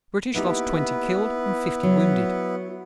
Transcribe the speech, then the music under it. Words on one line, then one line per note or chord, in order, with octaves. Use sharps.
The British lost twenty killed and fifty wounded.
A#3 B3 D#4 E4 G4 B4
F#3